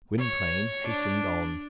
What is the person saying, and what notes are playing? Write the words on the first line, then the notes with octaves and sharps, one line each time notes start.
Gwynplaine hastened on.
C#5
D4